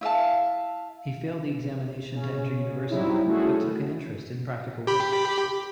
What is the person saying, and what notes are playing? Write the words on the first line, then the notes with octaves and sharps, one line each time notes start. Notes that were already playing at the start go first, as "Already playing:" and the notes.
He failed the examination to enter university but took an interest in practical work.
E4 E5 F5 A5
C#3 C#4
C#3 F#3 G3 C4 D#4 E4
A3 C#4 E4 F#4 G#4 A4
G4 B5